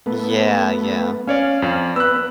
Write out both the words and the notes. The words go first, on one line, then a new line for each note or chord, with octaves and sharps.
Yeah, yeah.
A3 B3
C#4 C#5 D5 F5
F2 D5
B3 B4 E6 F#6